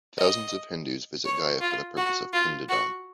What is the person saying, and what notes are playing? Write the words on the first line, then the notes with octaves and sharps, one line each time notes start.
Thousands of Hindus visit Gaya for the purpose of "pindadan".
D#5
C#5
F4
F#4
F4
F#4